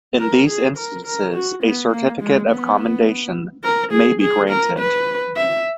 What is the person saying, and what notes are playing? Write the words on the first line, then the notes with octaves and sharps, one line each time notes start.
In these instances, a Certificate of Commendation may be granted.
A#4
G#4
A#4
A#4
F#4
B3
A#3
G#3
B3
A#4
G#4
G#4
A#4
B4
E5